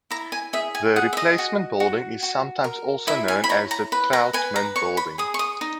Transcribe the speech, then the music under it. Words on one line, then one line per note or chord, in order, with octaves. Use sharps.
The replacement building is sometimes also known as the Trautman Building.
E4 A#5
G#5
G#4 E5
G#5
G#4 F#5
E5
D#5
F#4
F#4
F#4
A#4
E4 E5
G#5
B5
C#5 A#5
A#5
B4 B5
A#5
B4 G#5
A#5
C#5 C#6
B5
G#4 D#6
C#6
D#6
D#4